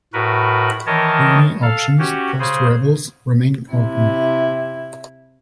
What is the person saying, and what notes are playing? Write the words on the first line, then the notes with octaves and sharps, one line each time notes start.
Rooney options, post-Rebels, remain open.
A2 F#4 A#4 B4
D#3 E3 A#4 C#5 D#5 A5
A4 F5
C#4 F#4 G4
C#3 G#4 C5
C3 E4